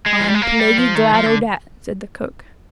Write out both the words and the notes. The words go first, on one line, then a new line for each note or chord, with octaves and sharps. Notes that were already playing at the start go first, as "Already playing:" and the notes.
"I'm plaguy glad o' dat," said the cook.
G#3
F3
G3
G#3
A#3
G3
F3
D#3
F3
D3